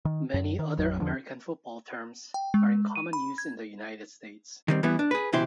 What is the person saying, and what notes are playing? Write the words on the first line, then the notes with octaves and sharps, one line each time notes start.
Many other American football terms are in common use in the United States.
D#3
F#2
D#3
A1 F2 F#3
E2 D3 F3 D4
G5
G#3
D#7
B5
G#6
D#3 G3 C4
E3 G3 B3 E4
D4
G#4 B4
C#2 B2 E3 E4 G4 C5